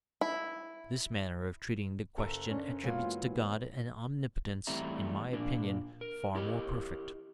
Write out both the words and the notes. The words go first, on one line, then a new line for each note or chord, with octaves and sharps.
This manner of treating the question attributes to God an omnipotence, in my opinion, far more perfect.
E4
F#1 A4 A#5
C#4 D4
E3 F#3 G#3 A#3 B3 F4
D#2
E3 G3 A3 C4 E5 A#5
A#2 A#3 D4
A#4
E4 G4 A#4 D#5